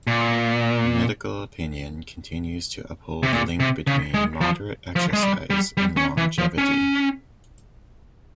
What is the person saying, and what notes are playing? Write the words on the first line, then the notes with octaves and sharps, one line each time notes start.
Medical opinion continues to uphold the link between moderate exercise and longevity.
A#2
C3
A#2
C3
C#3
G#3
F3
F3
G#3
G3
G3
G3
C#4
E3
F3
C#4